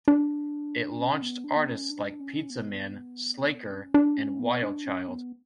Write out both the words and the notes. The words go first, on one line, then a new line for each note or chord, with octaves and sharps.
It launched artists like Pizzaman, Slacker, and Wildchild.
D4
C#4
B3
D4
B3
C#4
D4
C#4
B3
C#4
D4
C#4
B3
D4
C#4
B3